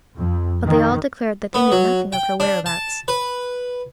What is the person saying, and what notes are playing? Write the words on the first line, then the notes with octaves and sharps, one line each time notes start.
But they all declared that they knew nothing of her whereabouts.
F2
D#3
B3
F#3
G5
D4
A5
B4